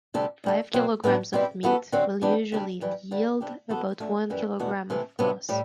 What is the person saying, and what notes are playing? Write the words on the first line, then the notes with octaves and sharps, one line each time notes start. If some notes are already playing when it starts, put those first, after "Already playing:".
Five kilograms of meat will usually yield about one kilogram of floss.
D2 C3 G3 D4 A4
D2 D3 A3
B2 F#3 C4
A2 E3 B3 D4 F#4
B2 G3 C4 E4 G4
F#2 E3 B3 F#4 A4
F#2 D3 F#3 C4 F#4
E3 G3 B3 D4 G4
D2 C3 G3 D4
G2 E3 G3
G2 D3 G3
C3 G3 D4 G4
E3 B3 F#4 A4
D2 D3 A3
F#2 E3 G3
E2 B2 A3 D4 F#4
C3 E3 A3
C3 F#3 B3 D4
A2 G3